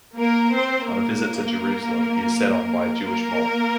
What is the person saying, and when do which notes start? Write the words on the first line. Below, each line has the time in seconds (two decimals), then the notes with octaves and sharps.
On a visit to Jerusalem he is set on by a Jewish mob.
0.17 A#3 A#4
0.52 C4 C5
0.88 A#3 A#4
3.05 A#3 A#4